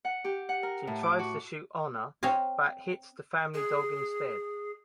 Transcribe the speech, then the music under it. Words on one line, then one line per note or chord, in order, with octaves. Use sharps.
She tries to shoot Honor, but hits the family dog instead.
F#5
G4
F#5
A#4
A2
D6
F#4
C4 C#5 D#5 F5 G#5
G#4